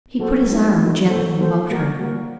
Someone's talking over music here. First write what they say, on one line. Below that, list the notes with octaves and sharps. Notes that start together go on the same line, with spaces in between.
He put his arm gently about her.
F#3 A#3 F#4 A4 C5
F#3 A#3 D#4
F#3 A#3 D#4
F#3 A#3 F#4 A4 C5
F#3 A#3 F#4 A4 C5
G3 A#3 F#4 A#4
G3 A#3 F#4 A#4